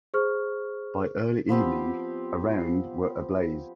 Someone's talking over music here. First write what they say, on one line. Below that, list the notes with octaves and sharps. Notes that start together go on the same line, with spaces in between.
By early evening, around were ablaze.
G#4 C5 C#6 F6
F3 B3 C4 G4